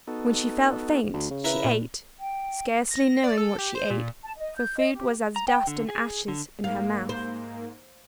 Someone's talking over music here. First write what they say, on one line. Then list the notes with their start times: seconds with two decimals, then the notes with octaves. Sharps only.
When she felt faint, she ate, scarcely knowing what she ate, for food was as dust and ashes in her mouth.
0.07 B3 D#4 F#4 A4
1.13 D2
1.30 C#3
1.44 E4 A#4 B4
1.65 A#2
2.20 G5
2.91 A#6
3.24 D5
3.38 A4
3.58 G4
3.75 C5
3.90 A#2
4.23 A5
4.37 D#5
4.58 G6
4.77 D#5
4.94 G4
5.36 A#5
5.48 G5
5.67 D3
5.89 G#4
6.28 D3
6.64 G#2 A#3 F5
7.09 C5